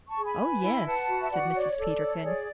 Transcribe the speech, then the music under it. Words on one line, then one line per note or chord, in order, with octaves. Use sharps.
"Oh, yes," said Mrs. Peterkin.
A5 C#6
G#4
G#5 B5
B4
E4
B4 F#5 A5
F#4
E5
F#4 D5 F#5
C#5 D5
A4 D5
C#5
E5
G#4 D5